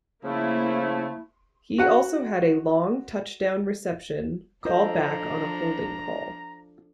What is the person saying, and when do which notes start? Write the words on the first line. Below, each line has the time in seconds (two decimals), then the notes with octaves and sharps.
He also had a long touchdown reception called back on a holding call.
0.24 C#3 F3 A3 A#3 E4
1.78 F#4 F#5
4.65 F3 D4 F4 A4 C5 D#5 A#5